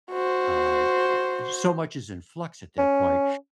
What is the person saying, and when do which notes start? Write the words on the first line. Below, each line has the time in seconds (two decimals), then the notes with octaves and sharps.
uh, d so much is in flux at that point.
0.11 F#4 C5
2.78 C#4